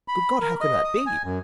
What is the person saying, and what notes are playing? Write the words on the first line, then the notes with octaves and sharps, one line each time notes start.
Good God! how can that be?
B5
A#4
D#5
D#6
G#5
F#2